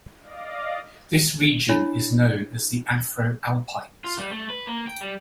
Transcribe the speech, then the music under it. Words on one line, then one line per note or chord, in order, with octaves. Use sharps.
This region is known as the Afro-alpine zone.
D5 D#5 F5 D6 A#6
D4 E4 C#5 B5
F4
G3
A3
B4
A#3
G5
G3